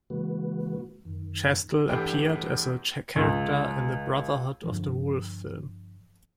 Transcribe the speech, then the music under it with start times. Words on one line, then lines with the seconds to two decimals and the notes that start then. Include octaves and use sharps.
Chastel appeared as a character in the "Brotherhood of the Wolf" film.
0.10 C#3 E3 G#3 A#3 F#4 B4
1.05 F#2 D#3
1.89 E2 G2 A3 G4 G5
3.16 C#2
4.64 G2 D3 F3